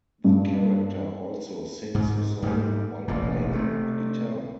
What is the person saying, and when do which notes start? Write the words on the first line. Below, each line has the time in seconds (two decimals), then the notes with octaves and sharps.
The character also sings a song while playing the guitar.
0.24 G2
1.95 G#2
2.42 G#2 G3
3.08 E1 A1 A#2
3.53 C3 A3